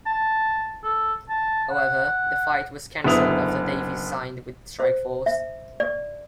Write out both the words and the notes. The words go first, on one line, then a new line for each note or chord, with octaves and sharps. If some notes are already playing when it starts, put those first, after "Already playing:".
However, the fight was cancelled after Davis signed with Strikeforce.
A5
A4
A5
F#5
F#1 D3 B3 E4 D#6 F7
C5
E5
D5